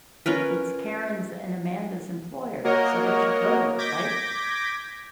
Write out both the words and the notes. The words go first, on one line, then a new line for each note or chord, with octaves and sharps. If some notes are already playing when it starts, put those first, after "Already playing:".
It's Karen's and Amanda's employer, so they should go to it, right?
C#4 F4 A#4 B4
A#3 F#4 A#4 C#5 D#5
D6 G6 G#6 A#6 B6